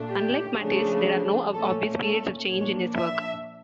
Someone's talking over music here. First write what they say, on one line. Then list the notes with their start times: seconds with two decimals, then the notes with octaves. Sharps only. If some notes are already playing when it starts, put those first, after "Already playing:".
Unlike Matisse, there are no obvious periods of change in his work.
Already playing: A#2 A3 D4
0.10 G4
0.57 C#3 F3 A3 D4
1.53 A#2 A3 C#4 A4
2.01 A4
2.50 A#2 F3 A#3 D4 C#5
2.97 E5